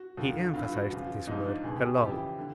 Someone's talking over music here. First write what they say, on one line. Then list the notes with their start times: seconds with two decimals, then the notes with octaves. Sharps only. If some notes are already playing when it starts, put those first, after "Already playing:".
He emphasized this word "alone."
Already playing: F#4
0.17 D#2 D3 F3
0.54 G2 E3 F4
0.72 F#4
0.90 E2 C#3 F3 F4
1.27 G#2 F3 D#4
1.46 D4
1.64 C#2 B2 G#4
1.76 G4
2.01 F2 C#3 E3 G4
2.39 D3